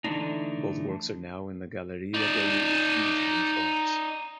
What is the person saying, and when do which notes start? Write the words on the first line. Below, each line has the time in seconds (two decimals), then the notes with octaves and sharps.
Both works are now in the Galleria degli Uffizi in Florence.
0.04 D3 E3 A3 B3 D4 D#4
2.14 D#4 D5